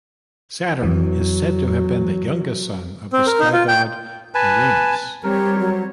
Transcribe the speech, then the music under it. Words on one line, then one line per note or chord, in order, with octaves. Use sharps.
Saturn is said to have been the youngest son of the sky-god Uranus.
F2 E3 F#3
C4
A#4
D#4
F4
G5
B4 G#5 A5
G3 C4 G4 A#4 C#5
F#3